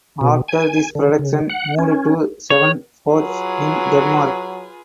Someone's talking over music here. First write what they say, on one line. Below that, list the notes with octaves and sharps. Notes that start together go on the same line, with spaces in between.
After this production moved to Svendborg in Denmark.
B2
G#5
D3
C#3
F#5
C#4
C#5
F#3 F4 G#4 B4